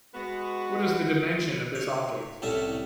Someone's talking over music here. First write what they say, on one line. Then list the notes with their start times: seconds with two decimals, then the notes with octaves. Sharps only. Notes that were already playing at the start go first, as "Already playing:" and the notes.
What is the dimension of this object?
0.14 G#3 B3 F#4
1.75 C#5
2.42 C2 A2 A3 C#4 E5